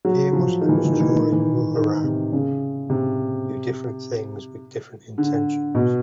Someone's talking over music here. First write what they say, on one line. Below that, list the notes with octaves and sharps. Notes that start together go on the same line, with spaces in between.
Shia Muslims during Muharram do different things and with different intentions.
F#3
F3
D#3
E3
D#3
E3
D#3
E3
D#3
E3
D#3
E3
D#3
D#3
C3
C#3
C3
D3
B2